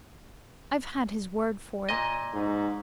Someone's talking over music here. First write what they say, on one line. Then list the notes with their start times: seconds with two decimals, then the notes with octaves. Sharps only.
I've had his word for it.
1.89 A#2 D#5
2.34 G#2